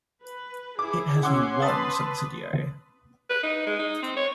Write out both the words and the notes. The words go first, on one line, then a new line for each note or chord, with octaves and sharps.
It has one subsidiary.
B4
E4 G#4 D6
C#4 F#5 C6 D6 E6
B4 A5 D#6 A6
B4
D#4
G#3
D#4
C4
C#5